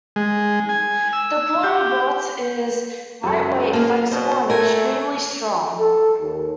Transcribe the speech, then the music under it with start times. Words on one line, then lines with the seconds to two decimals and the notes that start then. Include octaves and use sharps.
The Porta-Bote is lightweight, flexible and extremely strong.
0.16 G#3
0.69 G#5
1.13 E6
1.63 G4
3.23 C#2 F#2 A4
3.73 A#3 F5 A5
4.11 B2 C5
4.50 A3 A#4 G#5
5.78 A4
6.21 D#2